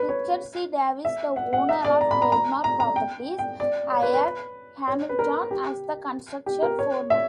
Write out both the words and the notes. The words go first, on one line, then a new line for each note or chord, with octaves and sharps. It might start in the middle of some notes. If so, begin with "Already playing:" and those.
Richard C. Davis, the owner of Trademark Properties, hired Hamilton as the construction foreman.
Already playing: B4
C#5
E5
F#5
F#5
E5
D5
A#5
B5
A#5
A#5
A#5
A#5
G5
G5
D5
C#5
B4
B4
C#5
B4
A#4
G4
G4
A#4
C#5
E5